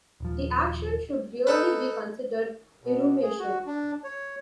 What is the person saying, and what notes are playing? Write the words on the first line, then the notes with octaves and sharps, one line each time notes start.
The action should really be considered "irrumation".
D#1 F3
D#4 A4 B4
B2
G#4
F#4
D4
C#5